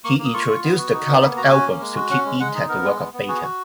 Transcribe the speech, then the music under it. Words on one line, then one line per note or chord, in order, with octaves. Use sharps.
He introduced the coloured albums to keep intact the work of Bacon.
A#3 C#6
A#3
D#6
F4 C#6
F4
B3
F#4
D#4
B3
A#3 B5
F#4 A#5
C#4 G#5
A#3
G#3
F#4
C#4 F#5
G#3
G#3 F#5
D#4
B3 A#4
G#3
B3
B3
F#4 G#4
F#4